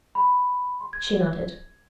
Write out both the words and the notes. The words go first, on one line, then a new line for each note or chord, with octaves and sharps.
She nodded.
B5
C6
G#6